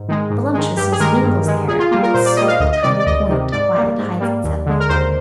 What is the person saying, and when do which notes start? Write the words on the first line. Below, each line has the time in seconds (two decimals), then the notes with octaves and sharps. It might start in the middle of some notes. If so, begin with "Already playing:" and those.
Voluptuousness mingles there with its sweet tiny point, while it hides itself.
Already playing: G#2
0.09 D#3 G#3
0.30 G#2
0.54 D#3 G#3
0.77 G2 G4
0.92 G#4
0.99 D#3 G#3 A#4
1.23 G2
1.45 D#3 G#3
1.68 A#2 G#4
1.79 F4
1.91 G3 A#3 F4
2.03 A#4
2.14 A#2 C5
2.25 D5
2.37 G3 A#3 D#5
2.48 F5
2.60 D2 D#5
2.73 D#5
2.83 C3 D#3 D5
3.00 D5
3.07 D2 D#5
3.29 C3 D#3
3.52 G#2 D5
3.74 G3 A#3
3.98 G#2
4.20 G3 A#3
4.44 D#2
4.66 D3 G#3
4.80 A#4
4.89 D#2 C5